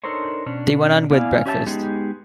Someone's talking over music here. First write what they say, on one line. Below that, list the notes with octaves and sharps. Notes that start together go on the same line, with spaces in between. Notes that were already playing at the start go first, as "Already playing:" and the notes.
They went on with breakfast.
D4 D#4 A4 A#4 C5 C#5
B2 C#4 D4
B3 E4 D5 F5 G5 G#5
C#4 G4 C#5 E5 G5 A5
G#3 B3 D#4 G4 G#4